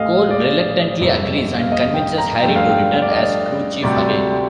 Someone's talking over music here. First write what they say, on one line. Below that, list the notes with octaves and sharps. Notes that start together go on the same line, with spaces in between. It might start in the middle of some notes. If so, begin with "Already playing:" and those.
Cole reluctantly agrees and convinces Harry to return as crew chief again.
Already playing: A1 A2 A3 D#5 F5
D5
G1 F2 C3
F5
D#5
G5
A#5
G2 F3 A3 D4 G5
F5
G5
D5
D#5
D2 C3 G3 C4 D5